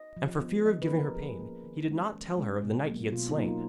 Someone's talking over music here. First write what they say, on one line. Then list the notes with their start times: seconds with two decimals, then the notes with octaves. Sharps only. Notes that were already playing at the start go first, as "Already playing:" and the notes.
And for fear of giving her pain, he did not tell her of the knight he had slain.
Already playing: D#5
0.17 F3
0.40 B3
0.65 F3 D#5
0.82 B4
0.90 A#3 C#4
0.99 A#4
1.15 F3 G#4
1.39 A#3 C#4
1.64 D#3
1.89 G#3 C#4
2.14 D#3
2.38 G#3 C#4
2.63 B2
2.88 F#3 A#3
3.12 B2 F4
3.29 D#4
3.37 F#3 A#3
3.45 F4